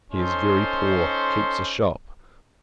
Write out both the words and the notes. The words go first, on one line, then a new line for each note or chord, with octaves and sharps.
He is very poor; keeps a shop.
C#4 D#4 A4 C5 C6